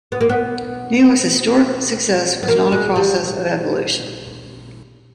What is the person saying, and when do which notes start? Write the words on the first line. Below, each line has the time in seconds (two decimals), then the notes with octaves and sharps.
New York’s historic success was not a process of evolution.
0.12 B3
0.21 A#3
0.29 B3
2.43 B3
2.48 A#3
2.72 G#3
2.96 G3